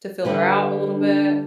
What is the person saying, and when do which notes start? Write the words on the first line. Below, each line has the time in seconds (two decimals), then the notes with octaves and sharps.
to feel her out a little bit,
0.25 D3 G3 C4 G4 B4
0.97 D4